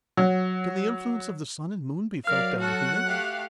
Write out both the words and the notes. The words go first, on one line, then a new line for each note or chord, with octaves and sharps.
"Can the influence of the sun and moon be felt down here?"
F#3
F#3 A#4 D5 F5 F6
F#4 A4 F#5
A3 G4 F5